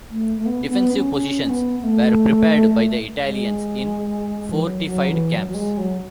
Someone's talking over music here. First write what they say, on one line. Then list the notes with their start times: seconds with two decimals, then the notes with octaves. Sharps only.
Defensive positions were prepared by the Italians in fortified camps.
0.10 A3
0.37 A3
0.46 B3
0.62 C#4
0.69 B3
0.92 C#4
1.15 C#4
1.45 C#4
1.49 B3
1.80 B3
1.84 A3
3.23 G#3
4.51 E3
4.61 F#3
4.86 F#3
5.08 E3
5.31 F#3
5.48 F#3
5.54 G#3
5.78 F#3